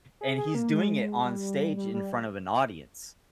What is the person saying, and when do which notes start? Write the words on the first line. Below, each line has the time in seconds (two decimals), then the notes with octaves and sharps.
and he's doing it on stage in front of an audience.
0.21 G#4
0.38 G#4
0.55 A#3
0.72 G#3
1.24 G3
1.77 G3
1.94 G3